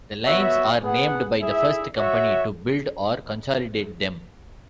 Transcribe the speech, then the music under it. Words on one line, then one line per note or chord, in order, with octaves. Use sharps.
The lines are named by the first company to build or consolidate them.
B3 F#4 C#5 E5
B3 G#4 B4 F#5
E4 G#4 E5
F#4 C#5 E5